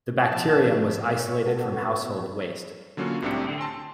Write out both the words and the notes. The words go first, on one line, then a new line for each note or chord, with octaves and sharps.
The bacterium was isolated from household waste.
A#2 F3 A5
C#5
B3 F#4 A4
D3 F#3 A#3 C#4 F4 F#4
C2 A2 C3 D4 G5 C#7
D3
A5 C6